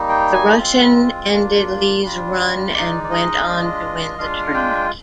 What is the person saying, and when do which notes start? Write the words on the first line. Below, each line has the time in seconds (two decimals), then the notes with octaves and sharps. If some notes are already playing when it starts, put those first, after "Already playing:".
The Russian ended Li's run and went on to win the tournament.
Already playing: G3 A#3 D#4
0.09 G5
0.33 G#5
0.58 G#3 C4 F4
1.30 A#3 D4 F4
2.01 G3 D4 F4
2.74 G#3 D#4 D5
3.04 D5
3.11 D#5
3.47 G#3 D4 F4
4.18 G#3 D4 F4 F5
4.54 G5